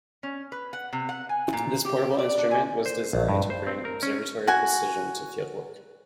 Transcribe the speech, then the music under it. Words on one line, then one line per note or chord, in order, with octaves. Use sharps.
This portable instrument was designed to bring observatory precision to fieldwork.
C#4
B4
F#5
C3
F#5
G#5
A#2
G4
D5
D4
G#5
C5
A#1
G2
C5
C4
A#4
C#4
F#4 G#5